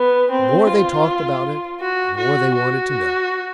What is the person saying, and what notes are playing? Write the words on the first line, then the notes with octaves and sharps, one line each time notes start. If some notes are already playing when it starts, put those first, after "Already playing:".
The more they talked about it, the more they wanted to know.
Already playing: B3
C4
F4
F#4
F#4
F#4